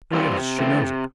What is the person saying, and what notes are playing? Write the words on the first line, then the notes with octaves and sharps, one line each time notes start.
"Oh, yes, she knows it."
E3 G3 C4 F4
C3
E3 A3 C4
C3